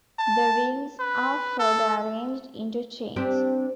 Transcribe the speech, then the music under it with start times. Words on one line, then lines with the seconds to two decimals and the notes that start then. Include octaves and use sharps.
The rings are further arranged into chains.
0.19 A5
1.00 B4
1.59 A4
3.16 C4 D4 G4